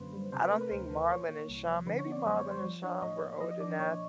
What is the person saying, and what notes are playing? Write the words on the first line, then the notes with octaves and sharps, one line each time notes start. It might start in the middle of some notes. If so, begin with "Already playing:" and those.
I don't think Marlon and Shawn, maybe Marlon and Shawn were old enough,
Already playing: F#2 D3 F#3 A#3 B4 C5
G3
C3 C5
B4
A3 A#4
B4
D2 C5
E3
A#2 C#5
A#3
C2
F3
D3 B4
C#5
B3
D5
F#2 C5
C#5
G3
C5
F3
D4 C#5
A2 D#5
A#3
F3 D#5
D#5
D4 D5
D5
A#2 C#5